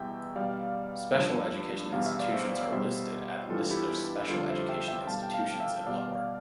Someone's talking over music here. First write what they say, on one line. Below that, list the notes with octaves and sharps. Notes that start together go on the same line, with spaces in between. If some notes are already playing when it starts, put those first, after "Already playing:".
Special education institutions are listed at List of special education institutions in Lahore.
Already playing: E2 B2 G3 E5 G5
B2 G3 D5 F5
G2
F3
E2 B2 G3 F5
E5
D5
C5 E5
B2 G3 C5 E5
G2 E3 G3 F4 A4
E4 G4
E4
F2 D3 G3 F4 A4
C5 E5
E5 G5
E5 G5
B2 G3 F5 A5
G5
F5 A5
E5 G5
B2 G3 D5 F5